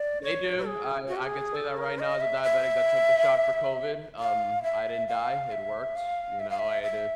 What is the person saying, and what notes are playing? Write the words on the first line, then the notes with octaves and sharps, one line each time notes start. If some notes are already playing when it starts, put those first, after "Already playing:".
They do, I I could say that right now as a diabetic that took the shot for COVID, um, I didn't die, it worked, you know? I had to
Already playing: D5
C#5
G#4
F#4
G4
G#4
A4
A#4
D#5
E5
E5
F5
E5
F5
E5
F5
E5
F5
E5
E5